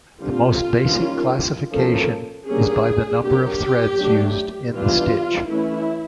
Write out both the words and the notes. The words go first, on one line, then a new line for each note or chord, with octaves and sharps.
The most basic classification is by the number of threads used in the stitch.
D3 G3 C4 F4
D#3 G3 A#3 C#4
F3 A#3 C#4 A4
D3 G3 A#3 C#4 G#4
D3 F#3 A#3 G4
F#3 A3 D4
E3 G3 B3 D4 F4
E3 A3 C#4 E4